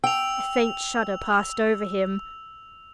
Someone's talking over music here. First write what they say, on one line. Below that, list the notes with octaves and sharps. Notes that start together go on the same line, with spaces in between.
A faint shudder passed over him.
G5 E6 F7